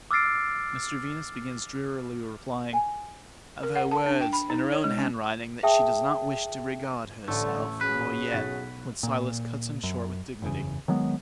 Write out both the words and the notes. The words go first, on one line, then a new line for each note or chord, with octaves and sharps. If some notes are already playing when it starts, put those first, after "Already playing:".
Mr Venus begins drearily replying, 'Of her words, in her own handwriting, that she does not wish to regard herself, nor yet--' when Silas cuts him short with dignity.
D6 E6 F6 A6 C7 D7
G#5
A#4
F#5
A5
D4
G5
B5
D#4
C#5
G#3
C#4
G#4 E5 G5 A5 D#6
A1 D3 A3
C#4 F#4 G#4 B4
B1 F#5 A6
A#2
F#2
F#1 E2 C#3
D#3 F#3 G#3 B3